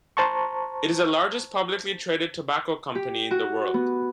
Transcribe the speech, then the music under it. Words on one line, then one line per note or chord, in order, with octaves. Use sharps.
It is the largest publicly traded tobacco company in the world.
C5 A5 A#5 C#6
G4
F#4
B3